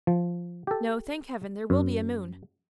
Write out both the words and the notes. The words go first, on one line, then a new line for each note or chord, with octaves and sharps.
No, thank heaven, there will be a moon.
F3
G4 A4
F#2